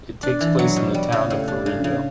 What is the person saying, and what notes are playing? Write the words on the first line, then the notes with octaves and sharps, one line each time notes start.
It takes place in the town of Foligno.
D4
E3
F#3
B2
G3
C#3
A2
D4
C#3
C#3